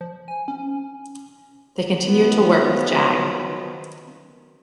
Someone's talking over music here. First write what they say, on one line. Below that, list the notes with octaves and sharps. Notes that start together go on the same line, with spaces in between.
They continue to work with Jag.
F3
G#5
C#4
D#3 F3 F#3 B3